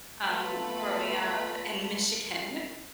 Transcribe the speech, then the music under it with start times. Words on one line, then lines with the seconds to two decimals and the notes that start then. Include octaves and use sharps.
um, growing up in Michigan
0.25 A3 B3 F4 B4 A5 B5